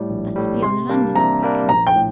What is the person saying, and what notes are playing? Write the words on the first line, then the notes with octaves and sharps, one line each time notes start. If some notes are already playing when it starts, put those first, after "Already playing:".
'That's beyond London, I reckon?
Already playing: A2 G3
A#1
A2 G3
C3 C6
G3 A#3 D4
C3 A#5
G3 A#3 D4
A#1 A#5
G5
A2